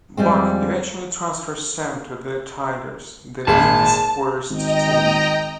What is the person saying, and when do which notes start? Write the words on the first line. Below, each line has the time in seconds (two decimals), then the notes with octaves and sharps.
Buck eventually transfers Sam to the Tigers, the league's worst team.
0.17 F2 G3 G#3 C4
3.47 G#1 A#2 G#4 A5
4.50 G#1 D#5 G5 A#5